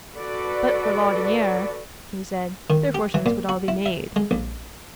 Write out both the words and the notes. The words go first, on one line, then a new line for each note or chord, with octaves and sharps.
But for Laudonniere, he said, their fortunes would all be made.
F#4 A4 B4 D5
D#3
G4
E3
A#2
F#4
E4
E5
G#3
A#1